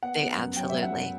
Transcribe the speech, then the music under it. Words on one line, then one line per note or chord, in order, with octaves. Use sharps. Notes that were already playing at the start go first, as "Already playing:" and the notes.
They Absolutely
B3 F#5
B3
F#2
F#3 G5
F#2 E5
F#5
F#2